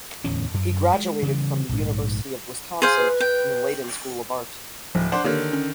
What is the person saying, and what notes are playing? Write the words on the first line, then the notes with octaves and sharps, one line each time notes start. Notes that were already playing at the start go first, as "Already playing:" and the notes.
He graduated from the University of Wisconsin and the Layton School of Art.
D1 E2 A2 C#4
F#2
G#3
C#3 E3 G3
A#1 G#2
G#4 C5 F5
B4
G5
D1 F3
D4 C5 F#5
D3 D#3 A#3 G4 C#5
C#4